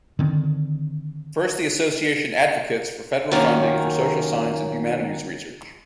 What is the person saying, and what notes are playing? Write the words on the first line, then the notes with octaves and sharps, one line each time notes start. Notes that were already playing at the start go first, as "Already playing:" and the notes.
First, the association advocates for federal funding for social science and humanities research.
D3 D#3 C4
F#2 D#3 A#3 C#4